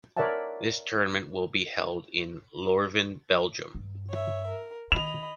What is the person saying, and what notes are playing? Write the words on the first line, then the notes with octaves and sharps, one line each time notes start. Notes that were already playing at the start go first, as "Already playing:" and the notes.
This tournament will be held in Leuven, Belgium.
A#4 C#5 D5 E5 F#5 A5
G2
C#5 E5
A#4
D#3 D#5 B5 F7